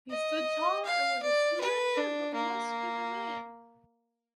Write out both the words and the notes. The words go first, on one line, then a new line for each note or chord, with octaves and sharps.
He stood tall and was a slender but muscular man.
D#5
F5
D5
B4
D4
A#3